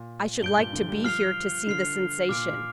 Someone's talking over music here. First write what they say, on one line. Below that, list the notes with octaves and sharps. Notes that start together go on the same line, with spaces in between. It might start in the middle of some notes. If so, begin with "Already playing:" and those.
I should like to be here to see the sensation.
Already playing: A#2
G2 G6 D7 G7
A#2
D3
G3
F3 F6 C7 F7
D3 F6 C7 F7
A#2 D6 F6 D7